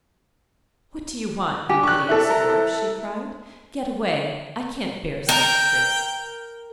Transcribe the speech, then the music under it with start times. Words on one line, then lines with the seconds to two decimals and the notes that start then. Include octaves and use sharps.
'What do you want, you hideous dwarf?' she cried; 'get away; I can't bear such tricks.'
1.69 D4 G4 G#5
1.83 C#6 F#6
2.09 E4 A4
2.30 A#4
5.29 A#4 G5